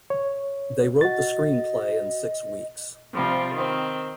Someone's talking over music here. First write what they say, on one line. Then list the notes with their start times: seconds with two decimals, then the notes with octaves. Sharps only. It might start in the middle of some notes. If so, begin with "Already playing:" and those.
They wrote the screenplay in six weeks.
0.10 C#5
1.01 F#4 D#5 A6
3.13 C3 F3 G3 F4
3.55 D#3 C4